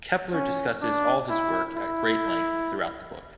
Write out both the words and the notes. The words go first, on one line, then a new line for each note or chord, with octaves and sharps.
Kepler discusses all his work at great length throughout the book.
C#4
D4
E4
E4